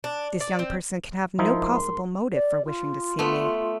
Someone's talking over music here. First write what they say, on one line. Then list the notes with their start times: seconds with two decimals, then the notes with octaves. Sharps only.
This young person can have no possible motive for wishing to see me.
0.04 D4
0.41 D5
0.59 C4
1.39 G#2 F3 D#4 E4 A#4 C6
2.33 D5
2.65 F4
3.19 A3 B3